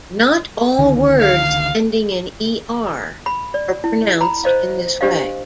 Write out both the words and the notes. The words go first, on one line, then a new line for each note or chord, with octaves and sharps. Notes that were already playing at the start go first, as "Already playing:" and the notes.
Not all words ending in "er" are pronounced in this way.
C#2 D3 D#3
F5
B5
D5
E4
A#5 B5
C5 D#5 F5
D4 G4 C5 D#5 F5